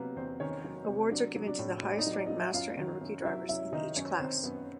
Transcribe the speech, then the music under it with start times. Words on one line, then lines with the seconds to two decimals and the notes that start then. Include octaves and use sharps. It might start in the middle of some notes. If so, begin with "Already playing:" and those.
Awards are given to the highest ranked Master and Rookie drivers in each class.
Already playing: C3 F#3 A#3 B3 B4
0.16 E2 C4 C5
0.40 D#3 C#4 C#5
0.64 F#3
0.88 C3
1.11 F#3 D4 D5
1.36 F#3
1.47 D4 D5
1.59 A2
1.83 A2 D#5
1.91 D5
1.99 D#4 D#5
2.07 F#3
2.13 D5
2.26 F#3 D#5
2.40 E5
2.54 F#2 F4 F5
2.77 D#3
3.01 F#2
3.25 F#3 E4 E5
3.49 F#2 E4 E5
3.73 D#3 D#4 D#5
3.96 F#2 C#4 C#5
4.20 D#3 C4 C5
4.43 F#2 B3 B4